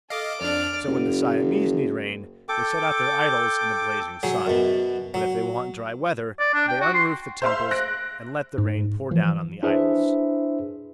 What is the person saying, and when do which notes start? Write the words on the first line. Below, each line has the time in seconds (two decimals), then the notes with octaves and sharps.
So when the Siamese need rain, they set out their idols in the blazing sun; but if they want dry weather, they unroof the temples and let the rain pour down on the idols.
0.10 A4 D#5 F5 D6
0.41 F2 D4 D5 F6
0.87 F#1
2.49 A4 G5 D6
4.23 F#3 G#4
4.47 F#2 B2
5.14 F#3
6.39 D5
6.54 D4
6.69 G5
6.81 F#4
6.94 C6
7.42 C5 E5 F5 C6
7.71 F#6 A#6 D7
8.58 G#2
9.11 E3 F3
9.63 D4 E4 G#4 B4 C5 E5